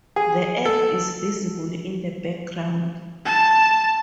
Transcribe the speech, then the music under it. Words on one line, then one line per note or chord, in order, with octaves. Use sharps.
The Earth is visible in the background.
G#4
A4
A5